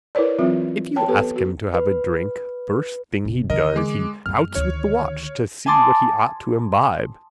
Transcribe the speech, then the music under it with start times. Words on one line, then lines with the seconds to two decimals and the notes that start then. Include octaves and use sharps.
If you ask him to have a drink first thing he does he outs with the watch to see what he ought to imbibe.
0.15 E4 A#4 B4 C#5 D5
0.39 E3 F#3 C4 F4 E5
0.96 C#5 G5 A5
1.08 B3 G4 A4 B4
1.36 F#4
1.74 B4
3.25 F1
3.50 D3 E3 A#4 D#5
3.76 G#3 D6
4.26 F#2 G#3 F6
4.55 D2 D#3 C#5
5.66 G#5 A5 C6 D6 D#6 A6